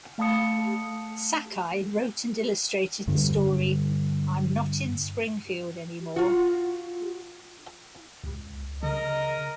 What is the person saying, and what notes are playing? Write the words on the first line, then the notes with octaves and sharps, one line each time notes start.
Sakai wrote and illustrated the story I'm Not in Springfield Anymore!
A3 F5 A5 B5 D#6 C#7
G2 D3
F4 F#4
C#2
C#3 A#4 D#5